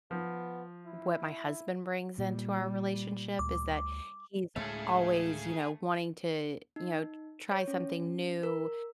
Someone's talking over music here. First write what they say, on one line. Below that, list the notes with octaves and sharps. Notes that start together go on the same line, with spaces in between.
what my husband brings into our relationship is that he's always, you know, wanting to, you know, t try something new,
F3 B3
E4
A#2 G3
D2 D6
D2 A2 G#3 A3 G#4 F5
D#4
C#5
C#4
A#4